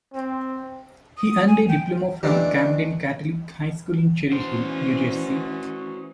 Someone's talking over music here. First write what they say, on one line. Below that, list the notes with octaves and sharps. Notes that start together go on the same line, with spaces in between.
He earned a diploma from Camden Catholic High School in Cherry Hill, New Jersey.
C4
D#6
G#5
G5
D#3 E3 A3 D4 G4
E3 C#4 F#4 C5